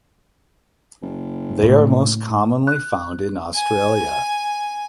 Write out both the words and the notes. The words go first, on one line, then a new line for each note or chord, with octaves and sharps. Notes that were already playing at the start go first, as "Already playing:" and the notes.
They are most commonly found in Australia.
F#1
A2
F#6
G#5